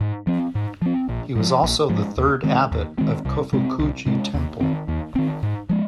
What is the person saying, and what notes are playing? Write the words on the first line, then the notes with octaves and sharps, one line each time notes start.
He was also the third abbot of Kofukuji Temple.
G#2
F3 C4
G#2
F3 C4
A#1
G#2 F3
A#1
G#2 F3
D#2
D#3 G#3 C4
D#2
D#3 G#3 C4
C2
C3 G#3 C4
C2
C3 G#3 C4
D#2
D#3 C4
D#2
D#3 C4
G#2
F3 G#3